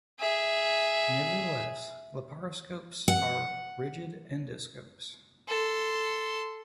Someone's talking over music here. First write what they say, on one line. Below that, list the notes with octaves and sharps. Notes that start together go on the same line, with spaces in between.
Nevertheless, laparoscopes are rigid endoscopes.
G#4 E5
F#5
A4 C6